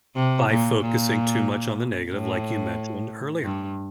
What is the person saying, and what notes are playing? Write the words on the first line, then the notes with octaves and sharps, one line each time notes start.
By focusing too much on the negative, like you mentioned earlier.
C3
A#2
A#2
A2
G2